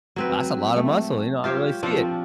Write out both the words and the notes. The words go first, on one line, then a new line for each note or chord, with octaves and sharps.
that's a lotta muscle. You know, I really see it.”
F#3 C4 B4
A3
F4 G4 C5 C#5
F3 C4 D4